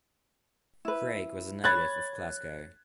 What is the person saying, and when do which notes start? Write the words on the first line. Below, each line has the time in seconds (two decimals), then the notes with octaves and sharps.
Craig was a native of Glasgow.
0.85 E4 B4
1.64 C#5 B5 F#6 G#6 A6